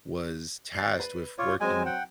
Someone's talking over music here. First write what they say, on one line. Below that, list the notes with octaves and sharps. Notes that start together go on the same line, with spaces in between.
was tasked with working
A6 C7
B4 B5
F4 C#5 D6
F#3 G#3 C4 C5 G#5
F#5 G5